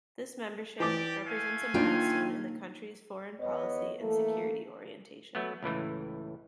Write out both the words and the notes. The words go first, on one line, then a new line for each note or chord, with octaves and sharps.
This membership represents a milestone in the country's foreign policy and security orientation.
E3 G4 D5 D6
A3 F5 G#5
A#3 D4 D#4 F4 G5
E2 B3 C#5 D#5
E3 A3 A#3 A4
F#3 A3 B3
C#2 A2 E3 A3